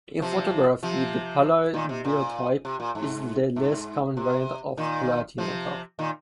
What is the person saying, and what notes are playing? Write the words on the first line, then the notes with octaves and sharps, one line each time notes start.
In photography, the "palladiotype" is a less-common variant of the platinotype.
C3 F3
C3 F3
A#2 D#3
C3
A#2
C3
A#2
G#2
G#2
C3
A#2 D#3
C3 F3
A#2 D#3